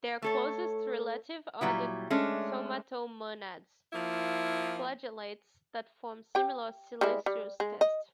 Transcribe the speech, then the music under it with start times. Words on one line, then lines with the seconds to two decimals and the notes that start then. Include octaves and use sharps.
Their closest relatives are the thaumatomonads, flagellates that form similar siliceous tests.
0.22 A3 A4 C#5
1.61 A#2 F#3 G3 E4
2.10 G#3 A3 C#4 D4
3.93 F3 A#3 E4
6.35 G4 G5
7.01 G3 G#3 E4
7.26 G3
7.60 G#3
7.81 D#5